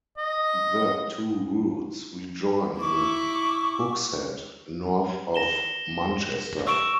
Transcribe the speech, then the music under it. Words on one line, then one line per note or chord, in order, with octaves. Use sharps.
The two routes rejoin in Hooksett, north of Manchester.
D#5
E4 C#6 D6
A#6 E7 G7
C#6 E6 D7 E7